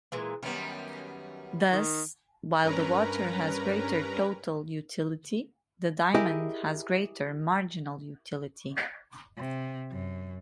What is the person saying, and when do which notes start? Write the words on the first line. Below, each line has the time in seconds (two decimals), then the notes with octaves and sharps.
Thus, while the water has greater total utility, the diamond has greater marginal utility.
0.12 A#2 E3 G#3
0.43 F#2 D#3 G3 B3 C#4
1.73 D#3
2.63 G2 C#4 A#4 B4 A#5
6.15 E4 G4 G#4 A#4 D#5
9.37 C3
9.91 F#2